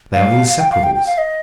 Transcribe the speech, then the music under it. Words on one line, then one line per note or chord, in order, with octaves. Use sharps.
They are inseparables.
F5
F5
G5
F5
G5
G5
F5
D#5